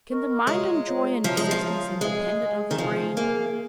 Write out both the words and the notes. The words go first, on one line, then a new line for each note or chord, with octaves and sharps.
Can the mind enjoy an existence independent of the brain?
A#4 D#5 C#6
G#3 F4 C#5 F5 A#5
F4 C#5 F5 A#5
F3 F4 C#5 F5 A#5
G#3
F3
F4 C#5 F5 A#5
G#3 G#4 F5 G#5
G#4 F5 G#5
D#3
F3 G#4 F5 G#5
A#3 G#4 F5 G#5